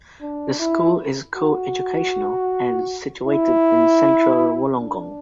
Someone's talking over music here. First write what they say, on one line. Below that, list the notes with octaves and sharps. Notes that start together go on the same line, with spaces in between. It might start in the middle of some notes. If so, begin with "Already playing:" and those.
The school is co-educational, and situated in central Wollongong.
D4
E4
F#4
E4
D4